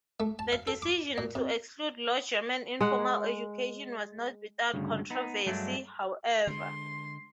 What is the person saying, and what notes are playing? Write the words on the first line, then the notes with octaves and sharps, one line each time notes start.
The decision to exclude Low German in formal education was not without controversy, however.
A3
A5
F5
A4
D6
A#2
C3
G#3 F#5
D2 G2 C#3
B3 D#4
G2 F#3 G#3 A3 D4
D3 G#3 C6